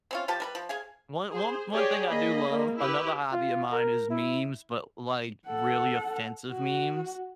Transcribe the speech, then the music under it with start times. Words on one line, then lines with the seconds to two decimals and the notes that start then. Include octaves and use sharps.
One one one thing I do love another hobby of mine is memes, but, like, really offensive memes.
0.11 C4 C#4 F4
0.28 F3 F4 G4 A5
0.40 G3 A#4 B4
0.55 F3
0.69 G#4 F5 G#5
1.31 G#4 C5
1.72 G4 G#4 C#5 D5
2.08 A#3 G#4 D#5 B5
2.49 A#3
2.78 E4 G4 B4
3.32 F4
3.72 A#4
4.10 E4
5.47 A4 F#5
6.51 F#4